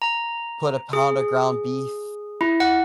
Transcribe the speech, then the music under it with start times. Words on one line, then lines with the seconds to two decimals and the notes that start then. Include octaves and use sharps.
put a pound of ground beef
0.02 A#5
0.93 G#4
2.41 E4
2.60 F#5